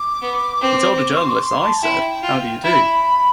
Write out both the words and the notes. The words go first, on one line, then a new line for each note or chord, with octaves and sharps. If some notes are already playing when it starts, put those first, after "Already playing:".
He told a journalist, I said, 'How do you do.
Already playing: D6
B3
C4
D6
C6
D6
C6
A5
E4 G5
F4
E4 B5